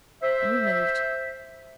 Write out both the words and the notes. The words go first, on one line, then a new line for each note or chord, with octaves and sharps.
And we moved.
C5 E5